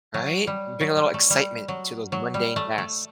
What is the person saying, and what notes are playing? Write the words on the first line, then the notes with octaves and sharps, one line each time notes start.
Right? Bring a little excitement to those mundane tasks.
F#3
G3
F#3
G3
A3
G3
F#3
F#3
G3
A3
A3